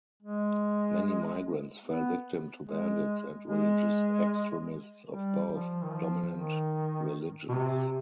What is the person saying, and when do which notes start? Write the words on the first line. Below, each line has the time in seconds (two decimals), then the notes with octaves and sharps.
Many migrants fell victim to bandits and religious extremists of both dominant religions.
0.22 G#3
1.85 B3
2.66 G#3
3.48 G#3
5.10 G3
5.51 F3
5.82 D#3
5.92 F3
6.32 D#3
7.49 B2
7.54 C3